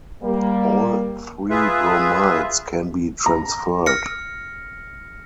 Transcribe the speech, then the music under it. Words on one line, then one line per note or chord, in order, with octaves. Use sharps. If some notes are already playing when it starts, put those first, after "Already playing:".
All three bromides can be transferred.
G3 A#3
F4 G#4 B4 E5
A#5
F6 A#6 C#7